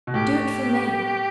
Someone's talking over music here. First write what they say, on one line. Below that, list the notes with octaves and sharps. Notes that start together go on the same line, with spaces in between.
Do it for me....
B2
A2 G4